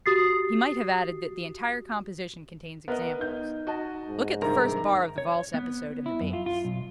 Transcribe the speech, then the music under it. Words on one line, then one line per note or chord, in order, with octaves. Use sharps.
He might have added that the entire composition contains examples--look at the first bar of the valse episode in the bass.
F#4 G4 D#6 A6 C7
B3 A#4 B4 D#5
D#4 G6
F#4 D#5 A5
G#2
G2 C3 D#3 A#4 A#5
C#5
B3
E4
F#2
F4
F4
B1